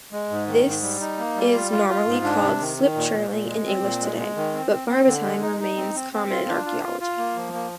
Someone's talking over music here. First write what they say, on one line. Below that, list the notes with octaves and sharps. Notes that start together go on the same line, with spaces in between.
This is normally called slip-trailing in English today, but "barbotine" remains common in archaeology.
G#3
G#2
D#3
G#2
G3
D#4
A#3
G3
F4
F4
F4
G#2
D4
C3
D#3
D#3
A#2
A#2
A#2
G#3
C4
A#2
G#3
G#3
D#3
C4
C4
C4
D3
G#3
D#4
D#4
C4
C4
C4
F4
D4
F4
F4
F4
A#3
F3
A#3